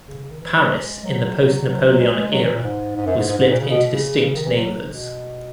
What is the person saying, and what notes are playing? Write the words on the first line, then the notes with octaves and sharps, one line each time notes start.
Paris in the post-Napoleonic era was split into distinct neighborhoods.
C#3
C#3
D#3
E3
F#3
G#3
F#3
D#3
F#3
F#3
F#3
E3
F#3
G#3
G#3
F#3
E3
A#2
G#2
G#2
F#2
G#2
G#2
G#2
A#2
C#3
B2
C#3
C#3
D#3
E3
F#3
B2